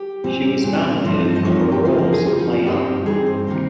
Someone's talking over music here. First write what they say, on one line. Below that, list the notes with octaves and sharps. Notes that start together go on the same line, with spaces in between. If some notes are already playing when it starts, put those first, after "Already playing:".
She was nominated for her roles in Play On!
Already playing: G4
A#2 G3 C4
A#2 G3 C4
G2 F3 C4 D#4 F4
D#4
D#5
G2 F3 C4 D#4 C#5
A#4
G4
C#3 F3 C4 D#4 F4
A#4
G#4
C#3 F3 C4 D#4 G4
D#4
F4
G2 G3 C4 D#4 G4
G2 G3 C4 D#4 G#4
C5
C3 D#3 A#3 D#4